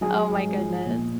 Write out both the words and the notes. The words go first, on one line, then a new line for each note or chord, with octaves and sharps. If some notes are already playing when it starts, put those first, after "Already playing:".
Oh my goodness.
F#3 G#4
G#2
F3
A#2